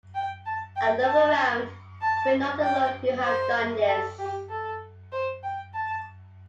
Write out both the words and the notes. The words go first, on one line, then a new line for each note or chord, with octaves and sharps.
And look around, we are not alone who have done this.
G5
A5
G5
A5
A5
G5
C5
A4
G4
A4
C5
G5
A5